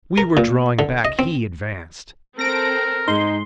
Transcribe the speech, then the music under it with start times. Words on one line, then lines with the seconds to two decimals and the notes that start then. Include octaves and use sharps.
We were drawing back, he advanced!
0.18 A#4
0.37 A#2
0.79 D3
1.05 D#5
1.19 C4
2.39 C4 A4 A#4 A#6 D7
3.08 G#2 G#3 D#4 C6